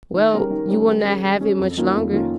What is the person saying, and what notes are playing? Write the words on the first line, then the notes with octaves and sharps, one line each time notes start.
"Well, you will not have it much longer."
D#3
G3 C#4 G4 A#4
D#3
G3 C#4 G4 A#4
G3
C#4 G#4
G3
C#4 G#4
F2
D#3 A#3 C#4 F4
F2
D#3 A#3 C#4 F4